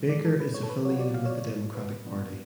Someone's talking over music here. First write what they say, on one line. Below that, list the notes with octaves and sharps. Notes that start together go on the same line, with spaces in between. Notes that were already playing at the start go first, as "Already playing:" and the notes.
Baker is affiliated with the Democratic Party.
Already playing: A2 F3 G#3
D5
A4
B4
C#5
A4
B4
F#3 B3 F4 C#5
D5
F5
C#5
D5
B4
A2 F3 B3 D4